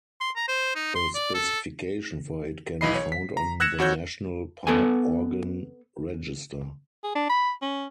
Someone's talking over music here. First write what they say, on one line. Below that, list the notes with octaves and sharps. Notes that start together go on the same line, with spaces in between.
A specification for it can be found on the National Pipe Organ Register.
C6
A#5
C5
D#4
C6
D5
A4
B1 E3 D#5 B5 C7
C#5
B6
A#5
E6 F#6 G#6 A#6 C#7 E7
F2 F#4 C#5 G6
B3 A4 B4 G#5
G#4
D4
B5
C#4